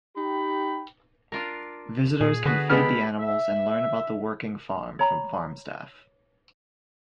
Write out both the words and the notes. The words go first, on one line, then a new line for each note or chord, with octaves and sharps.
Visitors can feed the animals and learn about the working farm from farm staff.
D#4 G4 G5 B5
D4 F4 A#4
A#2 G#4
D3 B3 F#4 G#4 B4
G#3 B3 D4 E4 G4 B5 F6
E5
C#5 A#5 B5